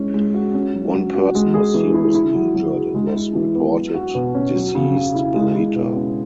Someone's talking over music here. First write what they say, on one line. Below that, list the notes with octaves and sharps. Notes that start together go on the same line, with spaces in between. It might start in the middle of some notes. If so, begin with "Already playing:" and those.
One person was seriously injured and was reported deceased later.
Already playing: G#3 C#4 E4
G#3
F#4
C#4
F#3
F#3
F#4
G#3
G#4
E3
E4
E4
F#3
F#3
G#4
G#3
E4
E3
B3
F#3
F#4
B2
C#4
F#3
C#3
C#3
E4
G#3
E4
B2
C#4